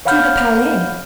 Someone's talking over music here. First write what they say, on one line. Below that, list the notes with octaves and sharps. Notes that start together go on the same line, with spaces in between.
"To the Palais."
C#5 F5 F#5 B5 F6 G6